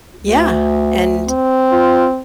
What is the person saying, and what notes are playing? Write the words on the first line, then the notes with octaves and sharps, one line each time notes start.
yeah, and
D2
C4
F4